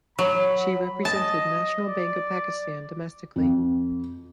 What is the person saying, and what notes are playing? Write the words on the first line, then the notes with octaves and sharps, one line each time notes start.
She represented National Bank of Pakistan domestically.
F#3 B5
D#5 A5
D5
F2